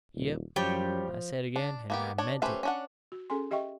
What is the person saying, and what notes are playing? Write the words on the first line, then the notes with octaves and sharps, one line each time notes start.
"Yep," I said again, and I meant it.
D#1
F#2 F3 G3 G4 C#5
D4
A#3 B3 G4
D4 C#5
A3 C#4 G4 B4 C5
C#4 D4 F#5
F#4
C#4 G#4 A4 G#5 C6
G4 D#5 E5 G5 C#6